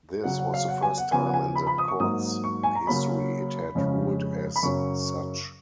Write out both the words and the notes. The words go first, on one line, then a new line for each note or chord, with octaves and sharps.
This was the first time in the court's history it had ruled as such.
C#3 F#3 C#4 F#5
F#5
F5
F#5
G#5
F#5
C#3 F3 B3 G#5
F#5
G#5
B5
B5
D#6
C#6
G#2 F#3 A#3 D#6
C#6
G#5
A#5
C#3 F#3 A#3 C#4 B5
F2 C#3 G#3 C#4
B5
F#2 C#3 F#3 C#4 C#6